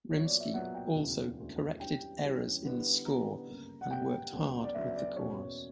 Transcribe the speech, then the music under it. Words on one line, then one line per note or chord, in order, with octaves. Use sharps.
Rimsky also corrected errors in the score and worked hard with the chorus.
A#2 F#3 B3 C#5
D5
E5
A#2 F#3 B3 F#5
G5
E1 D2 C#3 E3
E1 D2 C#3 E3
G2 E3 G3 C#4 G4 G5
G2 E3 G3 C#4 G4
D3 G3 B3 E4 B4
D3 G3 B3 E4 B4 A#5
G1 F#2 C#3 G3 A#3
F#5
G1 F#2 C#3 G3 A#3 G5
D2 C#3 F#3 B3
D5
D2 C#3 F#3 B3 E5
D5
E2 B2 A#3 C#4 F#4 C#5